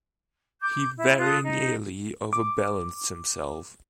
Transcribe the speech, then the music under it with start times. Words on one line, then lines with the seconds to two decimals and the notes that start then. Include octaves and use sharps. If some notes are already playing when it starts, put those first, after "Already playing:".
He very nearly overbalanced himself.
0.61 D6 G6
0.96 E4
1.18 F4 A4 D#6 F#6
1.43 D#4
2.33 D6